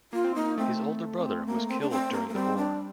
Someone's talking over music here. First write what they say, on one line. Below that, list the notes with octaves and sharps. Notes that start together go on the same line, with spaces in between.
His older brother was killed during the war.
A#3 F4
C4
A#3 D#4
A3 C4
C4
A#3
C4
D4
C4
A#3
A#3
G3 C4
D4